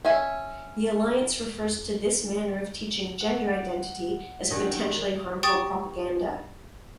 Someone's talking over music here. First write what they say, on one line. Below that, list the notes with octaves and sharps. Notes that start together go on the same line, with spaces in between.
The Alliance refers to this manner of teaching gender identity as potentially harmful propaganda.
C#4 E5 G#5
F#5
D#3 F#3 G3 C#4 D4 F#4
G4 G5 C#6 D#6 A6